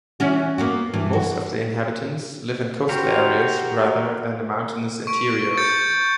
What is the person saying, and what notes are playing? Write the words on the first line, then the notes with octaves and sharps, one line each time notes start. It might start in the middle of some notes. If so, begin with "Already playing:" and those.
Most of the inhabitants live in coastal areas rather than the mountainous interior.
E3 C#4 F#4
A#3 B3 F#4
G2 E3
F#4
F#4 G4 A#4 C5
C#6 D7
G6 A6 C#7